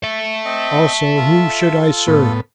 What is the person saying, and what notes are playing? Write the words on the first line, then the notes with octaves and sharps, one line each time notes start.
Also whom should I serve?
E5 A5
C4 D#5
F4 A4
A2 B3